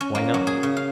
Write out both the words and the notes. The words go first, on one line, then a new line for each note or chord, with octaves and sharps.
Why not?
C#4
A#3
F#3
G#4
C#3
F5